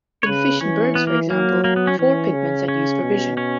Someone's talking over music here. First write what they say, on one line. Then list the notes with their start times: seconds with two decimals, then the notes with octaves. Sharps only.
In fish and birds, for example, four pigments are used for vision.
0.23 C#5
0.26 C#3 B4
0.61 E3 C#4
0.95 B3
1.07 A#3
1.30 F#3 A#3
1.64 A#3
1.76 B3
1.87 C#4
1.98 E3 C#4
2.33 C#3
2.68 C#4
3.02 B2
3.37 C#4